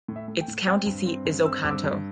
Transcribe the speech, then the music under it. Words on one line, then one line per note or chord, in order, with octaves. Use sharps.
Its county seat is Oconto.
A2
E5
A3
G5
A2
C4 G5
G2
C4
G2
C4 E6
G2 D6
E6
G2